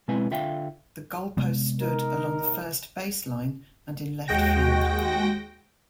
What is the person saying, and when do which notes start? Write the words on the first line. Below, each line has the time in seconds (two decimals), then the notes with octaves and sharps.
The goalposts stood along the first base line and in left field.
0.08 B2 G#3 C4 E4 B4 G#5
0.31 D3 F4 E5 F5 G5
1.37 C3 G#3 B3
1.80 D#4 A#4
4.28 D#2 G#3 F#4 G5 A#6